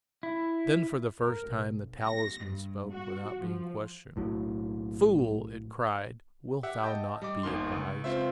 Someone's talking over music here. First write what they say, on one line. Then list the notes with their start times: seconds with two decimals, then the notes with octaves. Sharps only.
Then, for the first time, the Talisman spoke without being questioned. "Fool!" it cried; "wilt thou not be advised?"
0.23 E4
1.21 A#4
1.50 B1
2.04 A#6
2.44 G2
2.90 F#4
3.39 F3
4.16 B1 A2 F#3
6.63 G4 E5 F#5
6.83 D#5 G5 A5 G6
7.22 G3 D#5 D6
7.43 G1 D#2 D#3 C6
7.72 C#2
8.04 C#2 C4 F4 C5 E5